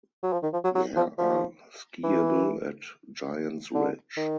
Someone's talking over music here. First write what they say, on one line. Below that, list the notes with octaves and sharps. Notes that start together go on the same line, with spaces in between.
There are skiable at Giants Ridge.
F#3
F3
D#3
F3
F#3
F#3
F3
F3
E3
D3
D#3